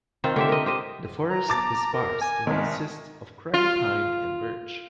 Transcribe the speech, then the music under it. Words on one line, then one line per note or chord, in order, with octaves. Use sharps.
The forest is sparse and consists of craggy pine and birch.
D#3 C4 F4 C5
D3 G4 E5
A#4 D#5
G4 C5 D#5
A#5
A5 D6 A6
A#4
G#5
C2 D#3 G#3
F4